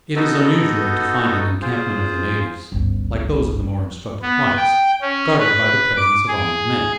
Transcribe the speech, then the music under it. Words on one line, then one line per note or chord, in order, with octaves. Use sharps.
It is unusual to find an encampment of the natives, like those of the more instructed whites, guarded by the presence of armed men.
B3 D#4 F#4 A4 D#5
F4 G#4 C5
G1 C#2
B3
G5
C#4
B4
D6
G#4